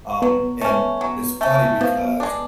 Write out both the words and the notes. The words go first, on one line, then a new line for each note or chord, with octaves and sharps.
Um, and it's funny because
F#3 B3
A3 C#4
F#3
A3 C#4
F3 B3
G#3 D4